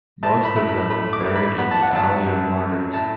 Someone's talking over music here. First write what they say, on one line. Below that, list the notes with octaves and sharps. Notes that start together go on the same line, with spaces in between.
Most of them were buried in the Alley of Martyrs.
A2 A5
B5
A2
B5
A3 B5
D6
A2
B5
B3 B5
A5
F#5
F#3 A5
F#2
F#2
A2 A5